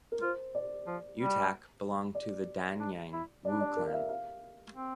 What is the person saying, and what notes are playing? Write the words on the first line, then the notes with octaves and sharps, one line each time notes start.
U Tak belonged to the Danyang Woo clan.
A#4
F4 C5
D5
F3
G3
D5
D4
E4
D4 D5
D5
A#4
F5
E5
F5
C4